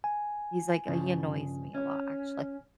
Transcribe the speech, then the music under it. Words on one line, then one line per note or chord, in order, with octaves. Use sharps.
He's like, uh he annoys me a lot, actually.
G#5
G2 C#3 F3
C#4